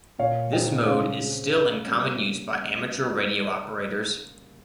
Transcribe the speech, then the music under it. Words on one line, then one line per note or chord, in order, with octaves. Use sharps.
This mode is still in common use by amateur radio operators.
A#2 C#5 F5
G#3 C4 D#4 D#5 G5
C#3 C#5 F5
G#3 C4
C#3
G3 A#3 C#4